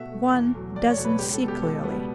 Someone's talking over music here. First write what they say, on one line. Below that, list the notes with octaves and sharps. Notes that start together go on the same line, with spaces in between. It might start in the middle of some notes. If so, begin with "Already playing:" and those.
One doesn't see clearly.
Already playing: B2 A3 E5 F#5
A3
E2
B2 F#3 A3
E2 D5
C#5
B2 F#3 A3
B4
C#2 G4
A4
B2 G3 B3
G4
C#2 A4
B2 G3 B3